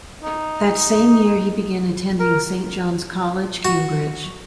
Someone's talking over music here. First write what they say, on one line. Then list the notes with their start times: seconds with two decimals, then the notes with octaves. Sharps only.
That same year he began attending Saint John's College, Cambridge.
0.23 D#4
2.20 A#4
3.65 F#4